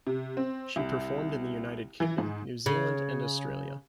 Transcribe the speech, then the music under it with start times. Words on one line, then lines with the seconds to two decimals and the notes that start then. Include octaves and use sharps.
She performed in the United Kingdom, New Zealand and Australia.
0.07 C3
0.37 C4
0.76 C2
2.00 E3
2.18 G#2
2.66 C#3